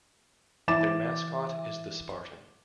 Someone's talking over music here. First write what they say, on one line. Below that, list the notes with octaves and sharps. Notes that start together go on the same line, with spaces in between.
Their mascot is the Spartan.
E3 E5 D6 A6 E7